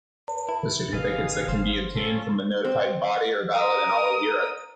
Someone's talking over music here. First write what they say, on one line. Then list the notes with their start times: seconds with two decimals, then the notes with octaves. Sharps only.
The certificates that can be obtained from a notified body are valid in all of Europe.
0.49 E4
0.93 G#1 E3 G#4 B4 D#5 F5
1.48 G1 C5
1.96 C#4 F4 A4
2.65 C4
3.55 A#4 D#6